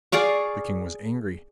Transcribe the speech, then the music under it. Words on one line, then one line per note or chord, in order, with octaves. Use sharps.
The king was angry.
G#4 D5 F5 C#6